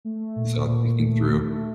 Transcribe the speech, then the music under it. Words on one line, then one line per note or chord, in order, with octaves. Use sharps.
it's all thinking through,
A3
A#2
A#2
A3
A3